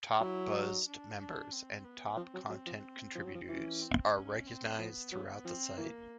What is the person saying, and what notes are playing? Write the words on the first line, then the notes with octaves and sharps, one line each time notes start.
Top buzzed members and top content contributors are recognized throughout the site.
F#3 E4
D#4
D4
D4
C4
B3
F3 C4
F#3
F#3
F3
F3
F#3
F3
E3 C#4
C4
C#4
C4
F3 B3
F#3
F3 C4
E3 A#3